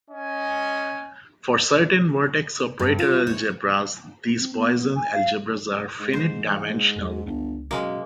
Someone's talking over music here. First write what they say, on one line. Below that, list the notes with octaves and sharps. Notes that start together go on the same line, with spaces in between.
For certain vertex operator algebras, these Poisson algebras are finite-dimensional.
C#4 D#5 G#5
G2
F4
C#5
C4
B3
G#5
F5
G#2
E3 C5
E2
G1 C#2
F#2 B2 G#3 A#3